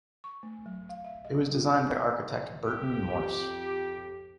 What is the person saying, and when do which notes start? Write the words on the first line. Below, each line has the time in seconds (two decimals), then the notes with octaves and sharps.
It was designed by architect Burton Morse.
0.24 C#6
0.43 A3
0.66 F#3
0.89 F5
1.05 E5
1.25 D#5
1.54 F4
2.67 F2 G4